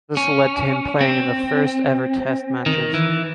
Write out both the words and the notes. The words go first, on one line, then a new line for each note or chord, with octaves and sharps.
This led to him playing in the first-ever Test matches.
C#4
C4
D#3
E3